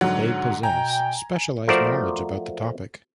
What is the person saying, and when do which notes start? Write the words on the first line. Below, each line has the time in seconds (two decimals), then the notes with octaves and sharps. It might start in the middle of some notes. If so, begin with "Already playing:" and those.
They possess specialized knowledge about the topic.
0.01 G#2 D3 F#3 F#5
0.63 B2 G5 G#5 A#5
1.68 F3 A3 F#4 A#4 C5 D5